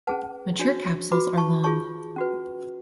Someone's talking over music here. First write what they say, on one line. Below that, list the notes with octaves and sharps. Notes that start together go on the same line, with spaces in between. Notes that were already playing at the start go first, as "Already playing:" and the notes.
Mature capsules are long.
C#4 G#4 B4 F#5 A5
D4 F#4 C#5
F#4 B4 B5 D6
A5 C#6
F4 G#4 C#5 A5 C#6
C#4 F#4 B4